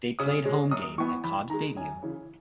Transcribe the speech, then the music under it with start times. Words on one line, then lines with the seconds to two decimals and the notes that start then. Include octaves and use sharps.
They played home games at Cobb Stadium.
0.19 C#3 D#6
0.45 G#3 C#4
0.71 F#2 D#6
0.98 E3 B3 C#6
1.24 E2 B5
1.50 D#3 G#3 A#5
1.76 F#2 G#5
2.03 C#3 E3